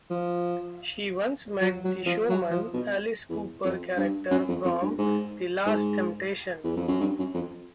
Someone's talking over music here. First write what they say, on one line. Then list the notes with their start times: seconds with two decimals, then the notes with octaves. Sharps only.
She once met the "Showman" Alice Cooper character from "The Last Temptation".
0.10 F3
1.61 F#3
1.85 F#3
2.06 F3
2.29 F#3
2.51 F3
2.74 B2
3.30 E2
3.65 F2
3.97 G2
4.31 F#2
4.49 F2
4.65 F2
4.82 G2
4.98 G#2
5.66 G#2
6.64 E2
6.77 F2
6.88 F#2
7.01 G2
7.19 F#2
7.34 F2